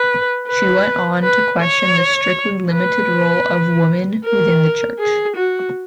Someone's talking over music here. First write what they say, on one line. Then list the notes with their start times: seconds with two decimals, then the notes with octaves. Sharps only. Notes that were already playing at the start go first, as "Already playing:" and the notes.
She went on to question the strictly limited role of women within the church.
Already playing: B4
0.48 B4
1.23 B4
1.60 C#5
2.74 B4
4.24 A#4
5.00 G#4
5.36 F#4